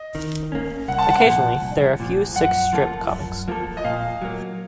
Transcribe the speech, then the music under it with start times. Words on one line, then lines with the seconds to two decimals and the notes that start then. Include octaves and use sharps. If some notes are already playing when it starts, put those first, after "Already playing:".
Occasionally, there are a few six-strip comics.
Already playing: D#5
0.15 D#3
0.52 A#3 C#4
0.88 C2 F#5
0.98 A5
1.10 F#5
1.25 A#2 F3
1.62 C2
2.00 A#2 F3
2.36 F#2 F#5
2.73 F3 A#3 F4 A4
3.10 F#2
3.48 F3 A#3 F4 A4
3.77 D#5
3.84 A#2 F5
4.22 F#3 A#3